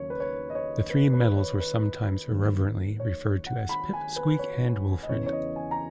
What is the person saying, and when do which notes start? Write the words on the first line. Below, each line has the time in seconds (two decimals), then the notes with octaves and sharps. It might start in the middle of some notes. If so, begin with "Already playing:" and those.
The three medals were sometimes irreverently referred to as "Pip, Squeak and Wilfred".
Already playing: D#2 C#3 F#3 A#3 C#5
0.10 B4
0.20 C#5
0.50 D#5
0.55 C#5
0.90 B4
1.13 B4
1.37 C#5
1.60 B4
2.30 D#2 D#3 F#3 A#3
3.00 C#5
3.46 F#5
3.69 B5
3.93 G#5
4.16 B4
4.39 C#5
5.03 D#5
5.09 E2 C#3 E3 B3 C#5
5.26 C#5
5.32 D#5
5.56 G#5
5.71 A#5